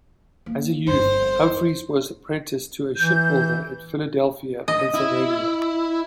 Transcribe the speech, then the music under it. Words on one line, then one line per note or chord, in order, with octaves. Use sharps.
As a youth, Humphreys was apprenticed to a shipbuilder in Philadelphia, Pennsylvania.
A#3
G1 F2 C5
E3 G6
D#5
E4